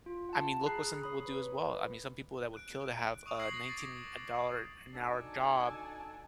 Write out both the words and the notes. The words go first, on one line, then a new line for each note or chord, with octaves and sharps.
I mean, look what some people do as well. I mean, some people that would kill to have a nineteen uh, dollar-an-hour job
F4
F#5 A5
G#4 A#5 B5 F#6 C7
C#5 B5 D#6
B4
F#6 D7
C#6 D#6 F7
D#6 G#6 A#6 C7 F#7
D6 D#6 A6 A#6 D7
D4 D#4 F#4 A4 G#5 A5